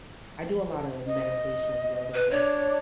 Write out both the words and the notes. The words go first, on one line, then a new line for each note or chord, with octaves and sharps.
I do a lot of meditation and yoga, but
D#5
B4
D4 C#5